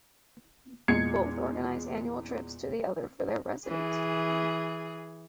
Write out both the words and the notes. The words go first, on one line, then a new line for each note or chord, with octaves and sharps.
Both organise annual trips to the other for their residents.
E2 A#2 G#3 G#6 C7 C#7
E3 G#4